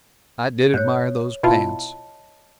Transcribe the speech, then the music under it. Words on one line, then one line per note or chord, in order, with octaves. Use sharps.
I did admire those pants.
G#2 C#5 F#6 G6
B2 E4 F4 D#5 A5 B5